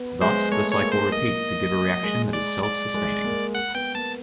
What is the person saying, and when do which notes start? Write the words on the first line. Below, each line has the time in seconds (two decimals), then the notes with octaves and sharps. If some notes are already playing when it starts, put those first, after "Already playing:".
Thus, the cycle repeats to give a reaction that is self-sustaining.
Already playing: B3
0.21 G#3 C5
0.52 A3 C#5
0.72 C#5
0.82 A#3
0.92 C5
1.12 A#3 D#5
2.03 G#3
2.33 D5
2.64 D5
2.94 G#3
3.25 A#3
3.55 F#5
3.74 B3 G5
3.95 A#3 A5